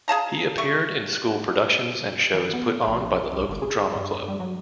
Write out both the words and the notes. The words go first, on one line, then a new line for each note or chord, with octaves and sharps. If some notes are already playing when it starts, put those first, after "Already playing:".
He appeared in school productions and shows put on by the local drama club.
G#4 F5 A5 A#5
A3 C#6
E3
B3
A#1
C2
G1
G#4
G2
G3
F#3